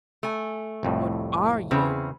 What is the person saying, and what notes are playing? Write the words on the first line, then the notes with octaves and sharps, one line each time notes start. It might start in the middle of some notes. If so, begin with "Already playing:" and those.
What ARE you?
A3 G#5
C2 F2 A2
E2 C#3 C4